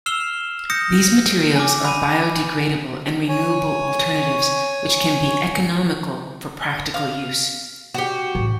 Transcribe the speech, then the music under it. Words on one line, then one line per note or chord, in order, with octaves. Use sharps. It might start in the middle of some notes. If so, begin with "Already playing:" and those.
These materials are biodegradable and renewable alternatives, which can be economical for practical use.
E6 F6 C7 E7 F7 G7
D#6 G6 A#6 C#7
G#5 D6
B5 D#7
C#5 G#5
F5
F#4 G4
A1